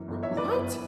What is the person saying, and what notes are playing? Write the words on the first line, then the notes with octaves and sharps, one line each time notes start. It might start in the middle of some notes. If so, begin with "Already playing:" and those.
We what?
Already playing: F#2 E3
G1
C#5 E5
F#2 E3
B4 D5
G1 B4